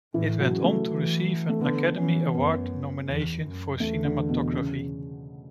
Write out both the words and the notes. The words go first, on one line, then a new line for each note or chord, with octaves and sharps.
It went on to receive an Academy Award nomination for cinematography.
A2 E3
F#3
C#3
A3
E3
A3
D3 B3
E3 C#4
F#2 B3
E2
F#2
E2 A3
D3
B2
C#3